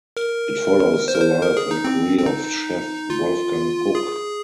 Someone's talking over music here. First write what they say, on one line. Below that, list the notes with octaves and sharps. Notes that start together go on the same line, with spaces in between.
It follows the life and career of chef Wolfgang Puck.
A#4
C5
A#4
C5
A#4
G#4
D#4
C4
C4
D#4
F4
G#4